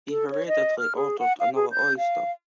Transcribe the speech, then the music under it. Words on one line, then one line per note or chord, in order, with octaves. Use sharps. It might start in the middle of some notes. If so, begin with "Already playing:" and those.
He hurriedly ordered another oyster.
A4
C#5
D#5
F6
G#4
F#5
F5
G#4
G6
F5